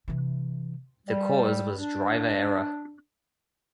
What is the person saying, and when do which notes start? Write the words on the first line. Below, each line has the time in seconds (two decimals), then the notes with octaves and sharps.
The cause was driver error.
0.08 C3 E3
1.06 G3
1.77 D4